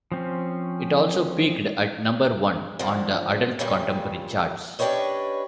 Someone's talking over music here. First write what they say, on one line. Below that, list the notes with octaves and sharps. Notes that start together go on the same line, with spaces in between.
It also peaked at number one on the Adult Contemporary charts.
F3 C4 C#4
D3 F3
A#2 C#3 G3 C4
C#4 D4 G4 B4 C#5 D#5